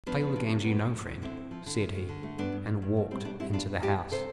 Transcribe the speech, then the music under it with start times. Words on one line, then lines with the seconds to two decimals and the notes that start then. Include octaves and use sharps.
"Play all the games you know, friend," said he: and walked into the house.
0.06 F3 B3 D4
0.20 F3
0.36 C3
0.49 F2
0.64 B3
0.78 F3
0.94 F3
1.07 A2
1.22 D3 C4 E4
1.37 F2
1.51 F3
1.66 D3
1.80 D2
1.94 D2
2.09 D3
2.23 A3
2.38 G2 B3 D4
2.52 G2
2.67 G2
2.82 G2
2.97 B2
3.11 G3 C4
3.25 B2 B3 D4
3.40 G3 C4 E4
3.53 B3 D4 F4
3.69 B2
3.82 B2 E4 G4
3.97 B3
4.11 C3 A4 C5